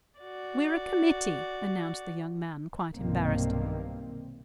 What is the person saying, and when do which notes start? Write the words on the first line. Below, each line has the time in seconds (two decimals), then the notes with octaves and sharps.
"We're a committee," announced the young man, quite embarrassed.
0.20 F#4 D5
2.95 B1 G2 C3 D#3 A#3 C4